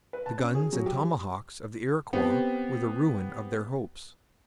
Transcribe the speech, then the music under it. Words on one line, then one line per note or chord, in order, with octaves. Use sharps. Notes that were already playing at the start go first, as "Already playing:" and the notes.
The guns and tomahawks of the Iroquois were the ruin of their hopes.
B4
A5
C#4
G#4
F#3
G4
B3 C4 G4